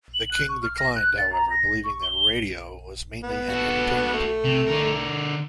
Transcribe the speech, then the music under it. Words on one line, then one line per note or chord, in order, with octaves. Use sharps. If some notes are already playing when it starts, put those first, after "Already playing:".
The King declined, however, believing that radio was mainly an entertainment.
F#7
F#6
C#6
F6
A#6
F#6
A6
A#5
A#6
C#6
G7
B3
F#4 A4
A3
C3
D3 A#4